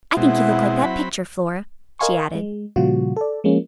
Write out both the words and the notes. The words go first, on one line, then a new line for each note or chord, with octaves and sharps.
"I think you look like that picture, Flora," she added.
B2 G#3 C4 E4 F#5
F#3 C4 B5
A#4 D#5 F5 G#5 C6 C#6
G#3
A#2 C#3 F3 G3 F4 F#4
A4 D5
F3 G#3 A#3 C#4